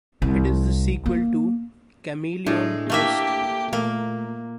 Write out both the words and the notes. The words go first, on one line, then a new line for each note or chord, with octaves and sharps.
It is the sequel to "Chameleon Twist".
C2
A#3
A2 G#3 D4
A3 A#3 G4 E5
A#2 A3 A#3